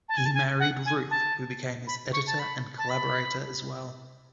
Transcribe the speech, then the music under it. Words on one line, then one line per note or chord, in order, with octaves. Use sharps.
He married Ruth, who became his editor and collaborator as well.
A5
G#5
A5
G#5
F#5
G#5
A5
B5
C#6
A5
B5
A5
B5